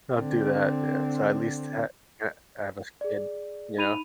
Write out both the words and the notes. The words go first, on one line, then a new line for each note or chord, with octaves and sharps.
I'll do that, yeah, so at least ha ha have a kid, you know?
D3 C4
G#4 D5
D#4 B5 D#7 F7